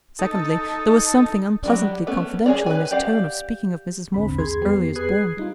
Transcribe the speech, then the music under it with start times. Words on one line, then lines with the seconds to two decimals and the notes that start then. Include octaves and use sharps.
Secondly, there was something unpleasantly confidential in his tone of speaking of Mrs. Morpher's earliest born.
0.19 D#4 A4
1.63 F#3 G3 D4
2.07 A3 B3 C#4 A4
2.46 A#3 G#4 A#4 C#5 D5
2.66 B4 G#5
2.91 G4 D5 F5 F#5
4.14 A#1 E2 G#2 D3 C4 B5
4.38 E2 G#4 C6 G#6
4.62 F2 B3 G4 C7
4.96 G#4 B4 D#6 F#6 G#6 C7
5.37 G3 D#4 F4